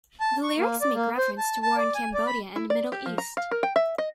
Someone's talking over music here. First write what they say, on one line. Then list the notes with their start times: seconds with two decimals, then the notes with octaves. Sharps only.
The lyrics make reference to war in Cambodia and Middle East.
0.20 A5
0.43 C#6
0.57 A#3
0.81 D5
0.95 A#3
1.18 C5
1.38 A5
1.63 A5
1.77 D5
1.95 G#5
2.14 D5
2.27 B5
2.56 E4
2.70 D5
2.92 G4
3.06 F3
3.18 A#5
3.37 F5
3.51 A#4
3.63 G5
3.76 E5
3.98 D#5